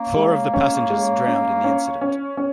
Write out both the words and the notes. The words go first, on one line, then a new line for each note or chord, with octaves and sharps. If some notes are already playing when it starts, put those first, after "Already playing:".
Four of the passengers drowned in the incident.
Already playing: A#3 C#4
G#3
C#4
G#3
C#4
C#4
C#4
C#4